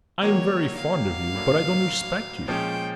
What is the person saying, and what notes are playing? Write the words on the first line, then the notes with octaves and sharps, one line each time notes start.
I am very fond of you, but I don't respect you.
D#3 F#3 A#3 C#5
F5
A2 F#3 A#3 D4
A#2 F3 G#3 C#4 G5